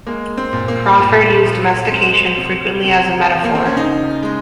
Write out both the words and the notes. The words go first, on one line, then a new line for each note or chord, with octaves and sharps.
Crawfurd used domestication frequently as a metaphor.
G#3 A#3
C4
A#2
A#3
A#2
F3
G#3 C4
C3
C3
F3
A#3
C4
C#4
C#3 D#4
G#3